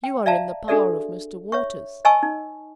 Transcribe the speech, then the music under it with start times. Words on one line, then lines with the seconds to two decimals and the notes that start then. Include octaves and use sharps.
"You are in the power of Mr. Waters."
0.04 G5
0.26 D5 E5 F5 A5 A#5
0.68 D4 F#4 G#4 A4 D5 E5
1.52 C#5 E5 C#6
2.05 D#5 G#5 A5 C#6 E6
2.23 D#4